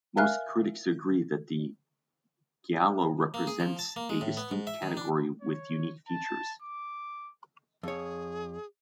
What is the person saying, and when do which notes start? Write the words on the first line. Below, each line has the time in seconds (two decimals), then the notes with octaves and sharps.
Most critics agree that the giallo represents a distinct category with unique features.
0.17 A#4 E5 F5 G#5 F6 F#6
3.34 A#3
3.47 G#4
3.60 F3
3.79 A5
3.96 A#3
4.09 G#3
4.21 A2
4.37 B3
4.51 G#2
4.67 E5
4.82 D#3
4.97 D4
5.41 C#5
6.08 A5
6.62 D6
7.83 F2 G#4 C#5